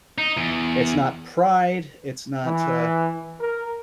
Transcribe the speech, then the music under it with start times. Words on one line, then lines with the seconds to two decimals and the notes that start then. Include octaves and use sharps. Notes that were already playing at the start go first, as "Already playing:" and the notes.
it's not pride, it's not, uh
0.18 D#4
0.37 E2
2.44 E3
3.40 A#4